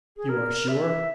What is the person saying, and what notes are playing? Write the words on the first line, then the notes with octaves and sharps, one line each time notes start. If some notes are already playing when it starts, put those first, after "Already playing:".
"You are sure?"
G#4
A#4
E5